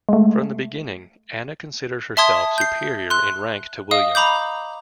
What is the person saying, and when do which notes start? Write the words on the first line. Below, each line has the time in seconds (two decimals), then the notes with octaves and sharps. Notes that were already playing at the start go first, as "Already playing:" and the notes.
From the beginning, Anna considered herself superior in rank to William.
0.09 G#3 A3
2.17 E5 A5 C6 D#6 G#6
2.58 G6 C7
3.10 C6 F#6
3.91 D#5 F5 D#6
4.15 A#5 B5 D6 G6